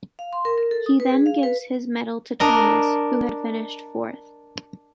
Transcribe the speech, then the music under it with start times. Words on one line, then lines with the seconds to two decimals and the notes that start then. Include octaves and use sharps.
He then gives his medal to Thomas, who had finished fourth.
0.19 F5
0.33 C6
0.45 A#4
0.58 A#4
0.71 A4
0.86 D#6
1.00 B4
1.11 G#4
1.26 F5
1.43 B4
2.40 D4 A#4 D#5